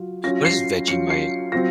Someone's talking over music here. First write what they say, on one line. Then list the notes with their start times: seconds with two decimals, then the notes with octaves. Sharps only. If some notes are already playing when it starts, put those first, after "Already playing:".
What is Vegemite?
Already playing: F#3 F4
0.24 F#3 C#4 F4 A#6
0.45 C7
0.88 F#3 C#4 F4 C#7
1.10 C7
1.52 F#3 C4 F4 A#6